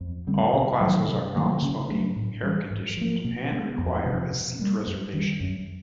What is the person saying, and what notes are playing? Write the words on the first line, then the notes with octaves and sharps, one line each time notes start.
All classes are non-smoking, air conditioned, and require a seat reservation.
F2
D3 G3 C4
C3
D#3 F#3
C3
D#3 F#3 A#3
C#3
F#3 A3 D4
A2
E3 G3
G#2
F3 A#3
B2
G#3 B3
F2
C3 F3
B2
G3 A#3
F#2
D#3 G3
F#2